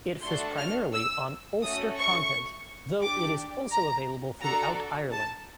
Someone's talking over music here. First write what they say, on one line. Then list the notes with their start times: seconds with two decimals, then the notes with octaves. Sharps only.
It focuses primarily on Ulster content, though it is also available throughout Ireland.
0.22 A3 D4 F#4 A4 C6
0.58 F6
0.93 E6
1.61 A3 C#4 F#4 A4 D#6
1.97 C#6
3.01 D4 G4 D6
3.71 A#5
4.41 D4 F#4 A4 A#5
5.12 A5